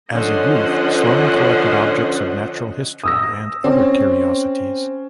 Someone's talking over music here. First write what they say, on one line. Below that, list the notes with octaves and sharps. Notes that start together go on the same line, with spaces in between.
As a youth, Sloane collected objects of natural history and other curiosities.
D3 F3 C#4 C5 D#5 F#5
D#6 E6 A#6
C4 C#4